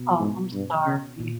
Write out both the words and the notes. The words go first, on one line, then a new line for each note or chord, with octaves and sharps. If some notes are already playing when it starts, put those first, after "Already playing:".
Oh, I'm sorry.
Already playing: B2
G#2
G2
C#3
A#2